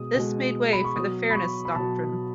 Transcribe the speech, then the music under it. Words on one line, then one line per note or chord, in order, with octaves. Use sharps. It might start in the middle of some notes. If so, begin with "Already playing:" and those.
This made way for the Fairness Doctrine.
Already playing: B2 G#3 D#6
B2 G#3
B5
C#6
B2 F#3 D#6
B5
C#6
B5
B2 F#3 A5